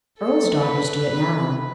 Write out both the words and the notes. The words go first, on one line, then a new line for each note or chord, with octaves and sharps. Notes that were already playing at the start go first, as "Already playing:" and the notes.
Earls' daughters do it now.
A4
B4